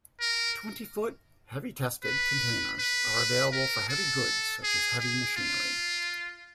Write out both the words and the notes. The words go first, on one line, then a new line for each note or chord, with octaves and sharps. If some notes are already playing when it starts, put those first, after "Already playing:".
Twenty-foot, "heavy tested" containers are available for heavy goods such as heavy machinery.
A#4
B4
B4
A#4
A4
G#4
G#4
F4